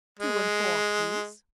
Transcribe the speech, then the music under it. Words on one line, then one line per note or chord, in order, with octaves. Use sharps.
"Two-and-four, please."
G#3